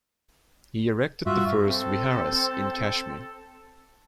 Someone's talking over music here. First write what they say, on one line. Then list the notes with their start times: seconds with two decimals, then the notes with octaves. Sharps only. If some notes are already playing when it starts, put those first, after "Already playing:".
He erected the first viharas in Kashmir.
1.26 G2 F4 F#4 E5
1.65 C4 A4